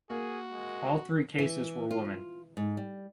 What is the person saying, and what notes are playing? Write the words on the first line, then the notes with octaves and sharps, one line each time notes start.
All three cases were women.
A#3 F#4 G#4
G#3
E3
F4
G#2
G3